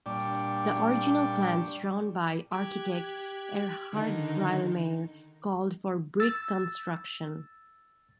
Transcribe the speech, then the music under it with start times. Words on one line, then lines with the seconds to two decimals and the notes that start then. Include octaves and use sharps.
The original plans drawn by architect Erhard Brielmaier called for brick construction.
0.06 A#2 G3 D4 D5 G5 C#6
2.51 G4 F#6 G#6
3.93 D3 D#3 D#4
6.20 E6 A6